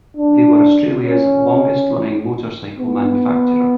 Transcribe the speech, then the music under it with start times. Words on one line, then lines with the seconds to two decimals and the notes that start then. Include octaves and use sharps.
They were Australia's longest running motorcycle manufacturer.
0.17 D4
1.04 C#4
2.79 B3